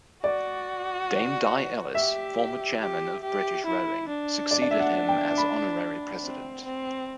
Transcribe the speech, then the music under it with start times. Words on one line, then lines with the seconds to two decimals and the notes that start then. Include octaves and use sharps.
Dame Di Ellis, former chairman of British Rowing, succeeded him as Honorary President.
0.24 F#4 D5
1.95 G4 E5
2.80 G4
3.23 G4
3.66 E4
4.08 D4
4.51 D5
4.62 D5
4.71 E5
4.80 F#5
5.09 G5
5.38 B5
6.22 C4
6.65 C4